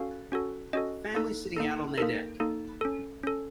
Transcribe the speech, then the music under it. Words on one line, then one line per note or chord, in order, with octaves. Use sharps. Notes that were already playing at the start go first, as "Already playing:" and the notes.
A family sitting out on there deck.
Already playing: C#4 F#4 A4 F5
C#4 F#4 A4
C#4 F#4 A4 D#5
A#3 D#4 A4
A#3 D#4 A4
A#3 D#4 A4 A#4
A#3 D#4 A4
C#4 A4
C#4 A4